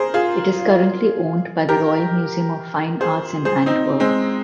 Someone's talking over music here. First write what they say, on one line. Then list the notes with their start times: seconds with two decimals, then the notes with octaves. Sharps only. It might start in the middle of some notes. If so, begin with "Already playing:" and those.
It is currently owned by the Royal Museum of Fine Arts in Antwerp.
Already playing: G#4 A#4 C5
0.14 F4 G#4
1.69 G4 A#4
3.01 G#4 C5
3.45 G#4 C5
3.66 C4 D#4
4.00 G#3 C4